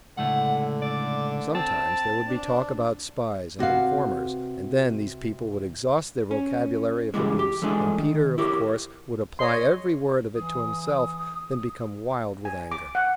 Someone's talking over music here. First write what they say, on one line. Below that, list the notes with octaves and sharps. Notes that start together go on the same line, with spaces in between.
Sometimes there would be talk about spies and informers, and then these people would exhaust their vocabulary of abuse, and Peter, of course, would apply every word of it to himself and become wild with anger.
C#2 A2 D3 A3 F#5
D5
C4 A5
D4
C3 F#4 B4 F5
C#4
C#3 E3 G3 G#3
G4
E3 G#3 A3 D4 G#4
D#3
E4 G4 A#4 C#5
C#5 D#5 C6
E3 D#6
G#5
D6
F#5